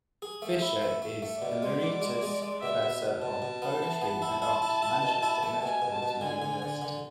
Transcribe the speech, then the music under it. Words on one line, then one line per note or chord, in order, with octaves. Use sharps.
Fisher is Emeritus Professor of Poetry and Art at Manchester Metropolitan University.
G#4
A3
E4
A3
A3
A3
B2 D5
G#3
B2
G#3
G#3
G#3
B2 E5
B2
B2
B2 A5
B2
B3
E3
B3
E4
E4 A5
E4
E4
B2
E4
A3
B2 G#5
B2
A5
B2
D3 G#5
D3
G#5
D3
D3